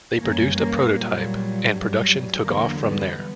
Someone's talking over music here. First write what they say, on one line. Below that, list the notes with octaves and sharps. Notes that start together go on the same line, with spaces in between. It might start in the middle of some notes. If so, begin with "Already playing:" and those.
They produced a prototype and production took off from there.
F#2 E3 G3 A#3 C#4
A#3
A#2 F#3 G3
G2 F#3
G3
E2 D3 F#3 A#3
G3 B3